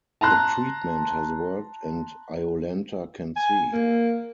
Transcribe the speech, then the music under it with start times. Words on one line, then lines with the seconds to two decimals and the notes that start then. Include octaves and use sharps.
The treatment has worked and Iolanta can see.
0.21 A5 A#5 C6 F#6
3.36 G#5
3.73 A#3